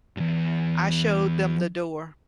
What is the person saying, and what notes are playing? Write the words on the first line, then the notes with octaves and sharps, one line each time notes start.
I showed them the door.
E2 G2